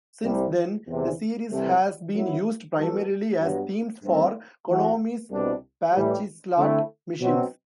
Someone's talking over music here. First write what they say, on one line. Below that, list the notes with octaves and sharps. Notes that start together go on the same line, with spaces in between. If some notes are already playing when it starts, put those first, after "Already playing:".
Since then, the series has been used primarily as themes for Konami's pachislot machines.
C2 C3 G3
E2 C3 E3
C2 C3 E3 A3
F#2 F#3 B3 E4
E3 G3 B3 F#4 A4
G2 F#3 B3
G2 E3 A3 C4
E3 A3 C4 F#4
C2 B2 G3 D4
A2 E3 G3
D3 A3 C4 E4
B2 F#3 C4